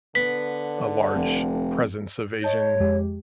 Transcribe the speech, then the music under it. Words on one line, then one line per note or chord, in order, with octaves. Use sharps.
a large presence of Asian,
D3 B3 B6
F1
C#5 D#5 A5 G6
F2 G#3 G4